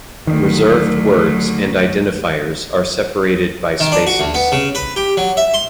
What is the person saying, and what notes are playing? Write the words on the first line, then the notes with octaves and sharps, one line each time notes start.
Reserved words and identifiers are separated by spaces.
D2 D#3 F#3
D#3
D4
F#4
D2
B3
C#3
B4
G4
F#3
E5
C6